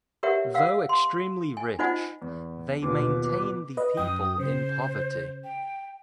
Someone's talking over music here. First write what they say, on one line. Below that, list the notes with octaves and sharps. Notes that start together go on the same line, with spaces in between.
Though extremely rich, they maintain the people in poverty.
G4 A#4 B4 C#5 E5 F#5
F5 F#5 E6
C6
G#5
D#4 F4 C5 D#5 F#5 G#5
E2
D#2 B2 F4 B4 D6
B4 D#5
F#2 G5 D#6
C#3 C5
G5